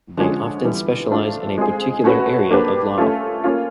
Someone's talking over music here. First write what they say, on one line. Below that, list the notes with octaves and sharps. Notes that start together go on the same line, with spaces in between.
They often specialise in a particular area of law.
D3 F3 G#3 C#4
E3 G3 B3
A3 D4 F4 A4 C5
G#3 C4 F4 G#4
A3 C#4 F#4 B4
A#3 D4 G4 B4
A3 C#4 F4 A4
A#3 C#4 F4